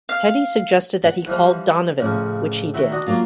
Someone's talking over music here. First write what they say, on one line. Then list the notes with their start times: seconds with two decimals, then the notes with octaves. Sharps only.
Petty suggested that he call Donovan, which he did.
0.09 F5
1.04 F#5
1.27 E3 F3 G3
2.00 A1 C#3 F3
2.74 D#3 E4 F#4 E5
2.91 D4 F#4 D#5
3.07 F#3 A#3 F4